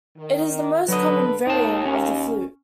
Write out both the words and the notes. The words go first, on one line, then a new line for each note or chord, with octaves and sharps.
It is the most common variant of the flute.
D#3
D3 F#3 B4 D#5
D#2 D#4 A5
C#4